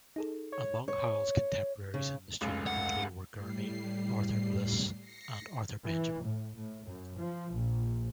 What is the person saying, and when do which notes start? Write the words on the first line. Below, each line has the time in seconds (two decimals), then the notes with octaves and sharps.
Among Howells' contemporaries in the student body were Gurney, Arthur Bliss and Arthur Benjamin.
0.16 D#4 G#4 A4
0.52 C#5
0.88 C#5
1.94 C#3
2.41 F1 C#2 F#2
2.67 F#5
3.32 A2 G3 C7
4.99 A#6 C7 C#7
5.86 E3
6.24 A2
6.56 A2
6.86 F#2
7.18 F3
7.54 A#1